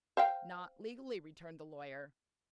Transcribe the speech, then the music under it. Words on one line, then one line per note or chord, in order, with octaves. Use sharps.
"Not legally," returned the lawyer.
C5 F5 G5